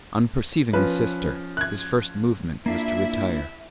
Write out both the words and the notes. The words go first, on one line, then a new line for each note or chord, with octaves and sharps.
On perceiving the sister, his first movement was to retire.
F3 C#4 B4
F#6 G#6
A#3 D4 E4 F4 E5